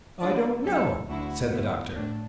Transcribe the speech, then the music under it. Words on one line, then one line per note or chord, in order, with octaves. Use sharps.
"I don't know," said the doctor.
D3 A3 E4 D5
F#2 F#3 A3 E4 A4
D2 D3 A3 E4 F#4
D3 B3 E4
A2 A3 D4